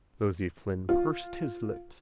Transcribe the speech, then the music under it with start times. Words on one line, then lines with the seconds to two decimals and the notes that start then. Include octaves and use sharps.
Nosey Flynn pursed his lips.
0.89 F4